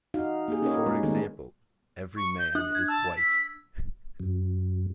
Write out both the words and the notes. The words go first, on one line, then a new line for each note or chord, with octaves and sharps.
For example, 'every man is white'.
D#4 F#4 F5
A#3 G4 G#4
C#4 D#4 F4 A#4 B4 C#5
G#3
D#3 A3 B3 D4 A4
C#6
G6
D4 F#6
G#6
A5 E6
B6
F#2